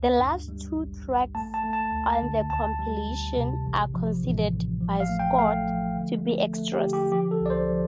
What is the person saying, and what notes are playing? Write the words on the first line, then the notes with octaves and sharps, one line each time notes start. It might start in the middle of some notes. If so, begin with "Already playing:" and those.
The last two tracks on the compilation are considered by Scott to be "extras".
Already playing: D2
G2
G3
A1
A1
A3 A5
A5
A3
A5
D2
D3
D2 A5
G3
D2
C3
A1
F3
A1
A1
F3
F5
A3
G5
A3 F5
F3
D3
A3
A3
G4
D3
G4
F3 G4
A4
C2 D5
C5
F3